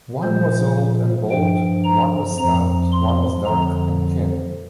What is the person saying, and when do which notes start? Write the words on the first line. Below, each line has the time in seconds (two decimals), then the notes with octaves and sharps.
One was old and bald, one was stout, one was dark and thin.
0.23 A#2 F3 C5
1.31 G2 F3 G5
1.84 A#5
2.38 F2 F3 A#5
2.92 C6
3.45 F2 D3 F3 A#5